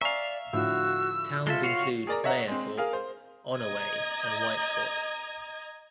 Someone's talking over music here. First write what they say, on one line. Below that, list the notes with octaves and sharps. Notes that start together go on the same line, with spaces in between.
Towns include Mayerthorpe, Onoway and Whitecourt.
D5 E5 F5 G#5 A#5 C#6
A2 D3 F3 F#4 E6
G#3 F4 A4 E5
F#4 C#5 F5
G#4 A#4 D5 A#5
C#5 D#5 E5 F#5 A#5
G#3 C4
G#4 A#4 F5
C5
D#5 A#5 D#6 G#6